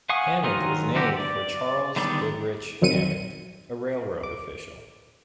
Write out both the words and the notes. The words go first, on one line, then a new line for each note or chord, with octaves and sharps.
Hammond was named for Charles Goodrich Hammond, a railroad official.
F5 F#5 G#5 C#6 D#6
D#3 F#3 F4 A#4 G#5
D3 E3 F#4 G4
D5
D3 D#3 G3 B3 D5
A#1 D#3 F#3 C4 C#7 D#7
D6